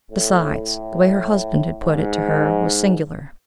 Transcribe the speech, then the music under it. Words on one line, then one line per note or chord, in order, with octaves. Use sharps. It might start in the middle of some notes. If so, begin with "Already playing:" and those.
Besides, the way her husband had put it to her was singular.
A2
G#2